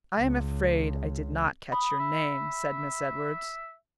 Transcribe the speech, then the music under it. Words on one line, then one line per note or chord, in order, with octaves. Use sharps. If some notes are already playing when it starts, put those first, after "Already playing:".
"I am afraid I did not catch your name," said Miss Edwards.
C#2
B5 D#6
E5